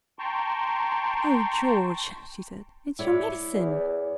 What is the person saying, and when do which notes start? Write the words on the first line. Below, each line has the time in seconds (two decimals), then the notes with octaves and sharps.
"O George," she said, "it's your medicine!"
0.19 G5 A5 A#5 C6 C#6
2.99 E4 C#5 D5
3.54 E2